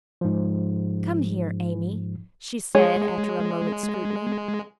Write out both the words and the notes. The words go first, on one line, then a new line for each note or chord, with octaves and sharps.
'Come here, Amy,' she said after a moment's scrutiny.
G#2 F3
G#3 G#4 C#5